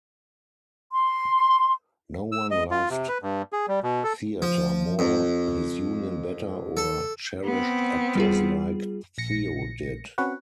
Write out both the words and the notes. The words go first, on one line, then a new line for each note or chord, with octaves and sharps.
No one loved theater more, his union better or cherished actors like Theo did.
C6
E6
D#5
F4
C3
B4
G2
G#4
G3
B2
A4
F3
F2
A4
B3 C4
G3 F4 G#4
A#1 A#6 C#7
C4 C#4 F#4 B4 F#5